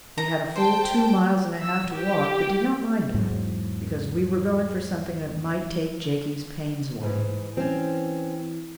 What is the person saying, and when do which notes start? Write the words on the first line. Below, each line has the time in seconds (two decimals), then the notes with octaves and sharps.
We had a full two miles and a half to walk, but did not mind that, because we were going for something that might take Jakie's pains away.
0.18 A#5
0.56 C5 G5 A5
1.61 E6
1.91 G4
3.14 E2 G#2 F#3
7.03 G#2 E3
7.57 E3 C4 C#4